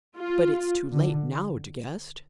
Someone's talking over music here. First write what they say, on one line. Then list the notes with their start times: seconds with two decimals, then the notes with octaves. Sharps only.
"But it's too late now, De Guest."
0.18 F4
0.91 D3